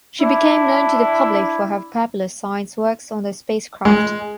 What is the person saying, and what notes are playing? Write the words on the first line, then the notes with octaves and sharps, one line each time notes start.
She became known to the public for her popular science works on the spacecraft.
D4 E4
G#3